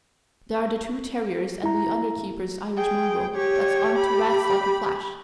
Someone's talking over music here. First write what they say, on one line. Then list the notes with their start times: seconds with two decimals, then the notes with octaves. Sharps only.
There are the two terriers and the under-keeper's Irish mongrel that's on to rats like a flash.
1.64 E4 A#5
2.77 G#4 G5
3.36 G4 C#5
3.99 B5